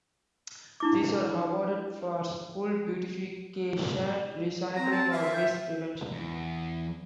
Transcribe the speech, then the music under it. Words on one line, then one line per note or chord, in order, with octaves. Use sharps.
These are awarded for school beautification, recycling or waste prevention.
D4 E4 D6
C4 A#5
A5
F4 E5
G5
E2